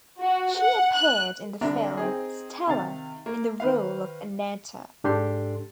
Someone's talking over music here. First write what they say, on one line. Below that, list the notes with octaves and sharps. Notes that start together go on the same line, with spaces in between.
She appeared in the film "Stella" in the role of Anetta.
F#4
F#5
F#6
C2 D3 D4 E5 A#5
C4 D#4 G#4
C3 D#3 F5 A6
A#3
D#3 B4 C5 F5
G#2 D4 G4 A4 C6